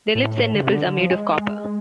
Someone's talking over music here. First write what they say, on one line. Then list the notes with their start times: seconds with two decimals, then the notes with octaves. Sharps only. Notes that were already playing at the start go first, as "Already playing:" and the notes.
Their lips and nipples are made of copper.
0.15 A2
0.54 D3
0.63 C3
0.74 D3
0.87 D3
0.99 F3
1.10 G#3